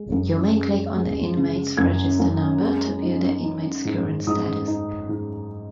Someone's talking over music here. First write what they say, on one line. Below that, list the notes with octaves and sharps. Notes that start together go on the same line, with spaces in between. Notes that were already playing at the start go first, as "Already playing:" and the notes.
You may click on the inmate's Register Number to view the inmate's current status.
Already playing: G#3
F#2
G#3
G#3
C#3
F#2 G#6
F#2
G#3
D#4
D#4
G#2
G#2 D#6
D#4
G#2